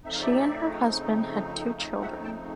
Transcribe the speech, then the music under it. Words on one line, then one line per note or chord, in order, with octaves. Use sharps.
She and her husband had two children.
C#3 F3 A3 C4 D#4 E5
F5
D5 E5
D#5 F5
E5 F#5
G5 A5